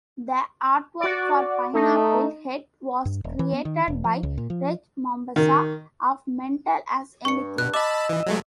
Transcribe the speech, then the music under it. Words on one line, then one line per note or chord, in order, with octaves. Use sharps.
The artwork for "Pineapple Head" was created by Reg Mombassa of Mental As Anything.
F#4 D5
A3 D#4
G2
E1
E3
B3
D#3
E1
F3
C#2
A#2
F3
D#3
G2 C#6 C#7
B2 F#6
D#5 A5 B5 D6 E6
E3
F#3 G#3 A3